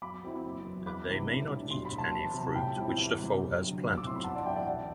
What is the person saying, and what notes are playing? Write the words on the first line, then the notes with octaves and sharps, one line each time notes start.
They may not eat any fruit which the foe has planted.
F#2 B5 D6
F#3 C4 E4
F#1
F#2 E3
E2 B5 D6
C3 E3 G3 D4
A2
G3 D4
B1 C6
B5
A2 F#3
A5 C6
E2
C3 F#3
A2 G5 B5
G3 C4 E4
E2
C3 G3
F#1
F#2 D3 F#3
B1
E6
D6
A2 F#3 C4 E4 C6
B5
G1 F#5 A5
D5 F#5
F#2 E3 E5 G5
D5 F#5
A1